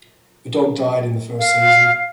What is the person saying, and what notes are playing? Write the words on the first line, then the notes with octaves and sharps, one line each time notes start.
The dog died in the first season.
F5